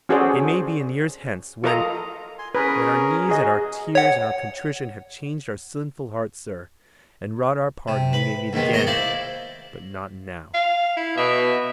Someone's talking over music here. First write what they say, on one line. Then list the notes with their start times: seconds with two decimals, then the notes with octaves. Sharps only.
It may be, in years hence, when--when our knees and our tears and our contrition have changed our sinful hearts, sir, and wrought our pardon, we may meet again--but not now.
0.09 C#4 F#4 G#4 A4 C5 D5
1.64 F4 A4 A#4 D#5 F5 A#5
2.39 G#5 C6
2.55 C#4 G#4 A#4 B4
3.29 F#4 G#4 D#5
3.95 C#5 F#5
7.88 C3
8.13 B4
8.53 D#2 G#2 D#3 B3
8.73 A#4 C#5 D#5 A#5 C6
8.87 E4 C5 D5 F5
10.54 F5
10.97 E4
11.17 B2 E5